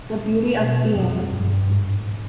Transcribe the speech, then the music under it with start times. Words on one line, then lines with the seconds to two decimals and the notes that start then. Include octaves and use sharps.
The beauty of being.
0.58 B2
0.94 F2
1.31 G2
1.67 G#2